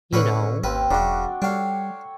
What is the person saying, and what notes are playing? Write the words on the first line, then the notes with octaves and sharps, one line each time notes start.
you know?
A2 D3 C#4 B4 C#5
G#1 D#2 C4 B4
E1 C#3 F#3 D4 F#4
G3 D4 A4 C#5 F5 G5